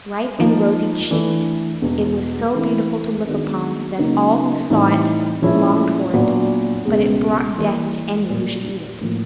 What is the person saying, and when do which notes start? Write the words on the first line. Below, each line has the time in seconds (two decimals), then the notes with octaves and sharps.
Ripe and rosy cheeked, it was so beautiful to look upon, that all who saw it longed for it; but it brought death to any who should eat it.
0.39 F3 A#3 D#4
1.11 E3 A3 D4
1.82 E2 B2 G#3
2.54 E3 A3 C4 E4
3.26 D#3 G#3 B3 D4 F#4
3.98 C#3 F#3 A#3 D#4
4.70 A2 E3 G3 C4 D#4
5.42 A#2 F3 G#3 C#4 E4
6.14 A#2 F#3 B3 D4 F#4
6.85 C#2 B2 G#3
7.57 E3 G3 A#3
8.30 A#2 G3 A#3
9.01 A2 F3 A#3